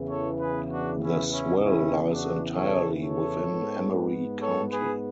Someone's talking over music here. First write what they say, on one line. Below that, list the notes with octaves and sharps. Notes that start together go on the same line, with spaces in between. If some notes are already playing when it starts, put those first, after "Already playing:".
The swell lies entirely within Emery County.
Already playing: E2 C#3 E3 B3
A4 C#5
G#4 B4
D4 F#4
C#4 E4
C#4 E4
C#4 E4
D4 F#4
A4 C#5
A4 C#5
G#2 G#3 B3
A4 C#5
G#4 B4